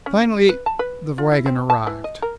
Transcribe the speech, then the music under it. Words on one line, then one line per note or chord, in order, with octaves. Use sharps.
Finally the wagon arrived.
C#4
B4
A5
B4
F4
E4
C4
A5
E3
D#5
A#4